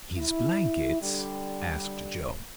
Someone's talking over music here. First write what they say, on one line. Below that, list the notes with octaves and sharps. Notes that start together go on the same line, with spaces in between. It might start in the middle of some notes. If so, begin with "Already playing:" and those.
"His blankets?" asked Joe.
E4
D3 G3